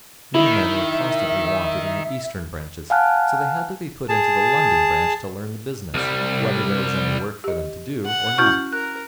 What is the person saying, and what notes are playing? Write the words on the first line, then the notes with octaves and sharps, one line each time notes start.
New men were constantly wanted in the Eastern branches, so they had to be put into the London branch to learn the business, whether there was any work for them to do or not.
D#3 E4 E5
F5 F#5 G#5 A5 F6 F#6
G#4 A5
C2 G3
G4 D#5
F#5
C#4 E4 F#4 C#6 F6 G6
A#4 F#6